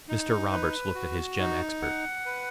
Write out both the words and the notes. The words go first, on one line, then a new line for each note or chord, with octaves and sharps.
Mr. Roberts looked at his gem expert.
D#4
B4
F#4
D#4
F#5
B4